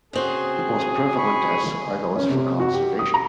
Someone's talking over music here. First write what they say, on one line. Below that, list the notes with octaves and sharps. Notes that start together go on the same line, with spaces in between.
The most prevalent tests are those for conservation.
C#3 C4 F#4 G#4
B5 C#6
C#4
C3
F#4
G4
D#6
A#5